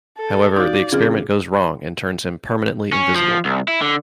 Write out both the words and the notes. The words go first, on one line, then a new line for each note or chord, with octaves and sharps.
However, the experiment goes wrong and turns him permanently invisible.
A4
D#4 F#4 D5 F5 D6 G6
C#3 F3 C4 G#4 F6
C#4
F3
C2
E4
D3